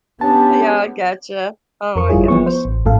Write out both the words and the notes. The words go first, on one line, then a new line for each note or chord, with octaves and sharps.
yeah, I gotcha, oh my gosh,
B3 C#4 D4 G4 A5
F2 A#4 C#6
G1 G3 E4 F4 G#4 C#5
F3 B3 C#6
C5
A1
A#1 F#2 A2 A4 F5